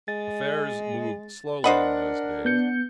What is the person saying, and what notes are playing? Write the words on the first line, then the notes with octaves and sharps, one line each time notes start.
Affairs moved slowly in those days.
G#3 A6
D4 A#4 C5 D#5 F#5 B5
B3 G6 C#7